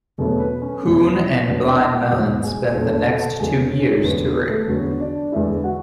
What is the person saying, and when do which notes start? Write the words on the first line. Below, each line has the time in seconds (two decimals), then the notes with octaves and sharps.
Hoon and Blind Melon spent the next two years touring.
0.18 E2 B2 F#3 A3 B3 A4
0.40 B3 B4
0.62 C#4 C#5
0.83 E2 B2 F#3 B3
1.47 E2 B2 F#3 B3 D4 D5
1.80 E4 E5
2.11 E2 B2 F#3 B3 F#4 F#5
2.44 G#4 G#5
2.75 E2 D3 F#3 B3 A4 A5
3.07 A4 A5
3.39 E2 D3 F#3 B3 G#4 G#5
3.72 C#4 C#5
4.04 E2 D3 F#3 B3 B4
4.25 B3 B4
4.47 A3 A4
4.68 E2 D3 F#3 B3 F#4
5.00 D4 D5
5.32 E2 D3 G#3 E4 E5
5.64 F#4 F#5